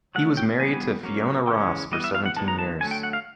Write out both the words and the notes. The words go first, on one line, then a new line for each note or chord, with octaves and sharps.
He was married to Fiona Ross for seventeen years.
F#3 A3 C#4 F#5
G5
E3 G3 B3 G#5
F#3 A#3 C#4
C#3 E3 G#3 C#4 G5
E3 G3 B3 D#5
E5
F5
F#5
D#3 G#3 B3 A5
A#5
A5
D3 F#3 A3 G#5
G5
F#5
F5